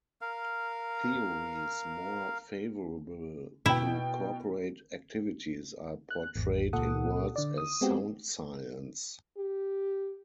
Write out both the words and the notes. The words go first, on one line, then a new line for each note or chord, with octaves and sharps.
Theories more favorable to corporate activities are portrayed in words as sound science.
A#4 F5
B2 E4 G5
F#6
G#1 E2
C#2 A#2 A4 F#5 D#6
D3 D5
D#6
G#3 B3 C4 F#4 G4
G4